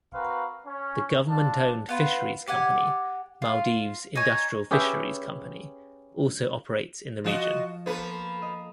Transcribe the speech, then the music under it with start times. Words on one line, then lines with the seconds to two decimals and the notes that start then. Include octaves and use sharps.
The government owned fisheries company, Maldives Industrial Fisheries Company also operates in the region.
0.14 C4 F#4 A#4 B4 F5
0.66 C#4
1.29 D4 F4 A4 A5
1.89 B3 F4 B4
2.47 G4 D5 F#5 G#5
3.42 F4 F5
4.15 D#4 C#5 G#5
4.71 C#4 G4 G#4 B4 E5 G5
7.24 F3 F4 F#4 D#5
7.86 F3 A#3 B3 A4 B4
8.42 D#5